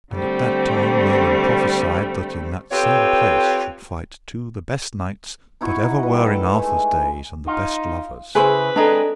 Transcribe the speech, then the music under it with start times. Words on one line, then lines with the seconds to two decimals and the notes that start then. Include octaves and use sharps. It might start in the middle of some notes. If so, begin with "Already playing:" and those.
And at that time Merlin prophesied that in that same place should fight two the best knights that ever were in Arthur's days, and the best lovers.
0.11 D3 G3 A3 C4
2.71 C4 F4 G4 A4 B4 C#5
5.61 D#4 E4 F#4 C#6
5.84 A#5
6.03 G3 B4
6.26 A3 A4 A5
6.54 G#3 A3
7.47 D#4 F4
8.35 C#3 E4 G#4 B4 C5 G#5
8.76 G#3 C4 D4 G#4 A4 D#5 A5 A#5